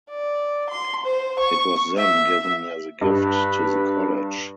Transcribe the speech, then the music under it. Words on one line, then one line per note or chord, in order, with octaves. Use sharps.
It was then given as a gift to the college.
D5
C6
C5
C#6
E5
G2 B4